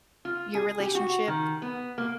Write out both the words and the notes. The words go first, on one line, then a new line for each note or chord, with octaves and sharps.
your relationship?
F4
G#4
G4
F#4
D#3
B3
A#3